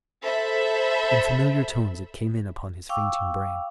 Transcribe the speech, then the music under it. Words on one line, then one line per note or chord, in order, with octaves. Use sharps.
In familiar tones it came in upon his fainting brain.
A4 C5 E5 B5
F5 G5 C#6 D6 E6